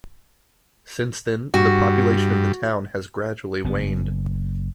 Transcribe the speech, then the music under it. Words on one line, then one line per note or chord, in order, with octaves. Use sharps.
Since then, the population of the town has gradually waned.
G2 F#4
F#1 B3